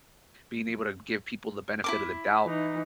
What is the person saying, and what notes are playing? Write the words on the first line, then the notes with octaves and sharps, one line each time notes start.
being able to give people the benefit of the doubt,
E4 A#4 D6
E3 D#4